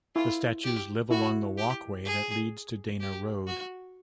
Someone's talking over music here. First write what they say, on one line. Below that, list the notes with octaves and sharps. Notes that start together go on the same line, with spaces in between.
The statues live along the walkway that leads to Dana Road.
E4 F4
G4
E4 F#4
G4
G#4
G4
F#4